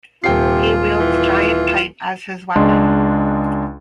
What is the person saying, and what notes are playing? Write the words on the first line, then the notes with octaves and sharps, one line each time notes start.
He wields giant pipe as his weapon.
D#1 C3 F4 G5 C7
E3
C#2 G#3 D4 D#5 C6